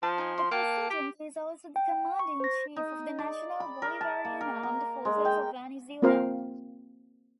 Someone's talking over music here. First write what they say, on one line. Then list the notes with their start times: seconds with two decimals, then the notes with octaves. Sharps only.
The president is also the commander-in-chief of the National Bolivarian Armed Forces of Venezuela.
0.03 F3 A5
0.18 D#4 G#5
0.38 C6
0.51 A#3 G5 A5
0.90 G4
1.76 G5
2.19 C#6
2.40 C5 A#6
2.76 D#4
3.19 D5
3.60 B5
3.82 A#4
4.01 A5
4.25 A#3
4.41 A#4
4.63 A#5
5.05 G#3
5.25 G5
6.02 A#3 C4 F4 A#4 C5 F5